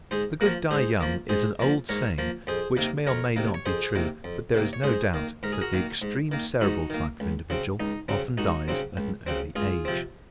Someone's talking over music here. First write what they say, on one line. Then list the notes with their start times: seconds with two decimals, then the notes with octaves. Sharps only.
"The good die young" is an old saying which may or may not be true. But there is no doubt that the extreme Cerebral type of individual often dies at an early age.
0.11 G#2 G#4 C5
0.41 A#3 F#4 A#4
0.46 F3
0.71 G#2 G#4 C5
1.00 F3 A#3
1.29 G#2 G#4 C5
1.60 F3 A#3
1.89 G#2 A#4 C#5
2.18 F3 A#3
2.47 F2 G#4 C5
2.77 C3 D#3 A#3
3.07 F2 A#4 C#5
3.36 C3 D#3 A#3
3.54 C#5
3.66 F2 G#4 C5
3.95 C3 D#3 A#3
4.24 F2
4.54 C3 D#3 A#3
4.73 C#5
4.83 G#2 G#4 C5
5.14 D#3 A#3
5.43 G#2 A#4
5.53 G#4
5.62 F#4 A#4
5.73 D#3 A#3
6.02 G#2
6.32 D#3 A#3
6.61 G#2 D#4 F#4
6.90 D#3 A#3
7.20 C#2
7.50 C#3 F#3 C4
7.80 C#2 D#4
8.08 C#3 F#3 C4
8.38 C#2 D#4 F#4
8.68 C#3 F#3 C4
8.97 C#2
9.27 C#3 F#3 C4
9.56 C#2 F4 G#4
9.85 C3 F3 C4